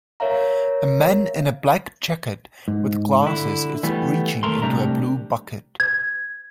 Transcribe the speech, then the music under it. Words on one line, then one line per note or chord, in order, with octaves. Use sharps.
A man in a black jacket with glasses is reaching into a blue bucket.
A#4 C#5 E5 F5 A#5
G#2
D3 E4
E3 G3 A3 B3
D#2 A3 A#4 C6
C2 G3 A3 D4 E5 A#5
G#6